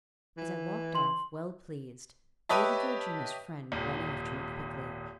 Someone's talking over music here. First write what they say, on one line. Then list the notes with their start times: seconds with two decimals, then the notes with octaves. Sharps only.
As I walked off, well pleased, Lady Georgina's friend ran after me quickly.
0.37 E3
0.95 C6 F#7
2.49 G4 B4 C#5 D#5 E5 A5
3.72 D#1 G#1